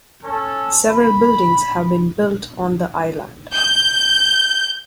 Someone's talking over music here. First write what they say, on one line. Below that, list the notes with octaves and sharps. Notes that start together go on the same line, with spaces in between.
Several buildings have been built on the island.
C#4 A4
B5
G6